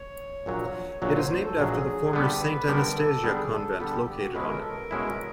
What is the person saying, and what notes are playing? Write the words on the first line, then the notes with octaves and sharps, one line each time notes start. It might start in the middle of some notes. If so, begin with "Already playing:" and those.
It is named after the former Saint Anastasia convent located on it.
Already playing: C#5
A#1 A#2 F#3
A#1 A#2 F#3 C#5
C5
C5
A4
A#1 A#2 F#3 G#4
D3 G3 B3 G4
B4
D3 G3 B3 A#4
A4
D3 G3 B3 G#4
A4
D3 G3 B3 A4
G4
G4
F#4
B2 G#3 C#4 E4 B4
A#4
A4
A#4
B2 G#3 C#4 E4